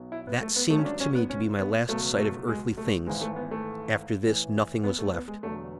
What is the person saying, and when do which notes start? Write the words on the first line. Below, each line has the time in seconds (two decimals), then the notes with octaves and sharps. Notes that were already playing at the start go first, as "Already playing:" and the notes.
That seemed to me to be my last sight of earthly things. After this nothing was left.
Already playing: B1 B2 F#3
0.12 E4
0.27 B3
0.41 A3
0.56 B3
0.70 G#1 G#2 F#3 A3
0.78 C#4
0.85 D4
1.00 C#4
1.15 B3
1.30 C#4
1.59 B3
1.88 C#2 B2 F#3 A3
2.18 A3
2.48 G#3
2.77 A3
3.07 G#1 G#2 E3 G#3
3.21 A3
3.36 B3
3.51 A3
4.25 A1 A2 E3
4.84 B3
4.99 A3
5.13 B3
5.28 G#3
5.43 E1 E2 D3 F#3 A3